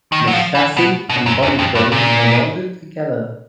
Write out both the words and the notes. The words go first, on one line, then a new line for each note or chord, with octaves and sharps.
The chassis and body frame are welded together.
D#3
F#3
F3
E3
B2
B2
F#2
E2
F2
G2
A#2